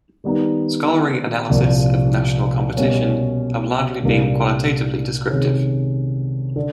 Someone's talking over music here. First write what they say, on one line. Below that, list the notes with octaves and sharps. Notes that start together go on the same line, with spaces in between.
Scholarly analyses of national competition have largely been qualitatively descriptive.
D#3 G3 B3 D#4
C2 A#2 F3
B2 G3 A#3 C#4
C2 A#2 G3 A#3 D4
C3 D#3 G#3 C#4
D3